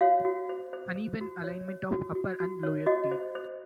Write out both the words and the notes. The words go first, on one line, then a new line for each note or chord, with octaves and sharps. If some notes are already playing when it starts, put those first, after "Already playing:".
Uneven alignment of upper and lower teeth.
F#4 C#5 F5
F#4
C5
C5
C5
F#4
C#5
C#5
F#4
F#4
F#4
C#5
F#4 D#5
C5
C5